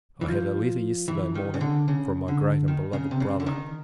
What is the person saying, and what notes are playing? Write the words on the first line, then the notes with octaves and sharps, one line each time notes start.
I had a letter, yesterday morning, from my great and beloved Brother.
E3
F3
E3
D#3
C#3
D3
C#3
D3
D#3
C#3
C3
C#3
D3
D#3